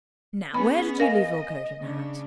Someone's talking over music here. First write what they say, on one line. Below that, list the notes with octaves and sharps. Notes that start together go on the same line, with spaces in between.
Now where did you leave your coat and hat?
B3 C#4 G#4 B5
A#4 D#5 F5 G#5
C#3 D4